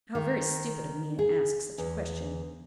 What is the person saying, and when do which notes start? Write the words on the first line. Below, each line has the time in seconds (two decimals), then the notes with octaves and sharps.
How very stupid of me to ask such a question.
0.15 D#3
1.19 G#4
1.78 E2